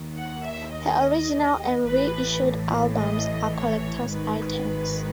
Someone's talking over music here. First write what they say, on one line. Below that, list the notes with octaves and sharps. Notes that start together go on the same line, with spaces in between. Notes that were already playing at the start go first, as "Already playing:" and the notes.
Her original and reissued albums are collector's items.
Already playing: D#2 D#3
F#5
E5
D#5
A1 A2 E3 B4
D#5
C#5
G#1 G#2 D#3 B4